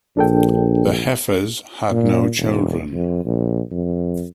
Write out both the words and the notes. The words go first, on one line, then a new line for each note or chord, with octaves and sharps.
The Heffers had no children.
A#1 D4 A4 G5
A#2
E1
F2
A#1
F2